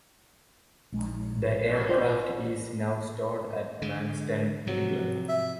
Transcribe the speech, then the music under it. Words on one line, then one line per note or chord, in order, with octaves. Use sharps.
The aircraft is now stored at Manston, England.
A#1 G#3
F4 C5 D5
D3 G#3
C3 F3 F#3
E5